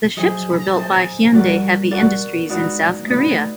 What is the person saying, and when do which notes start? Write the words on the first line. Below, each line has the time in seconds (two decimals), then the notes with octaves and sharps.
The ships were built by Hyundai Heavy Industries in South Korea.
0.17 F#3 G#4 C5 D#5 G#5
0.75 G#4 C5 D#5 G#5
1.33 G3 F#4 A#4 D5 F#5
1.91 F#4 A#4 D5 F#5
2.49 G#3 D#4 F#4 B4 D5
3.00 A3
3.07 A#3 D#4 F#4 B4 D5
3.27 A3